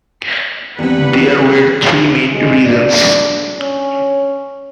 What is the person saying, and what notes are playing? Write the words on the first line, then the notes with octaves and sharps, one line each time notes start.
There were three main reasons.
E2 G2 G3 C4 G4 B4 F#5
G#3
D4
C#4